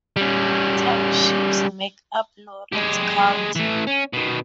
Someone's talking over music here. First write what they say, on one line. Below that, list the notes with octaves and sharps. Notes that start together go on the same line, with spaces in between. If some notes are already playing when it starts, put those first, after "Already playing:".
Nine townships make up Lawrence County.
G3 C#4
G#3 G4
E3 A3
C#4
B2 D#3